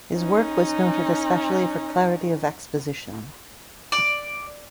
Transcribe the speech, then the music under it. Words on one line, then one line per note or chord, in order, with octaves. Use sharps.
His work was noted especially for clarity of exposition.
C#4 D#4
D5